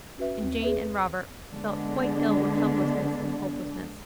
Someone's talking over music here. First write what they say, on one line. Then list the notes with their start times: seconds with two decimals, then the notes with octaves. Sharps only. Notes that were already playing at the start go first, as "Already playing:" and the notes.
And Jane and Robert felt quite ill with helplessness and hopelessness.
0.18 C#4 F#4 B4 E5
0.41 D#2 C4
0.62 G#4 B4 E5
1.50 D3 G#3 B3 D4